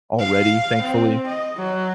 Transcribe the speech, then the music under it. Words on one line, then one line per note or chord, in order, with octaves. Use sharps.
already, thankfully.
F5
C4
D#5
F#3